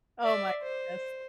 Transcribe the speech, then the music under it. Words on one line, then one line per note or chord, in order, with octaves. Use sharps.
Oh my ness.
D5 E5
C5